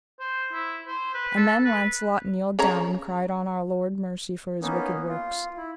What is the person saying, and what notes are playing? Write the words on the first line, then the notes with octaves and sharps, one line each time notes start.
And then Launcelot kneeled down and cried on Our Lord mercy for his wicked works.
C5
E4
C5
B4
A4
B4
C#3 C#5 A#5
A#3 B3 C#4 D#4
F4
E4